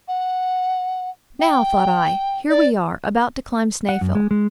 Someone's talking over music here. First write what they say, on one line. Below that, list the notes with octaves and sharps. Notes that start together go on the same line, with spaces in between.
Now, thought I, here we are, about to climb Snaefell.
F#5
G5
D5
F#5
F#2
G#3
G#3